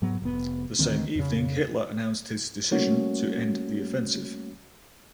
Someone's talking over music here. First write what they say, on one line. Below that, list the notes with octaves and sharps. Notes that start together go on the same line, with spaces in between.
The same evening Hitler announced his decision to end the offensive.
G#2 F#3 B3
F1 B3
D2 D#3 C4
F2 C#3
G3 A3 A#3 C#4 F#4 C#5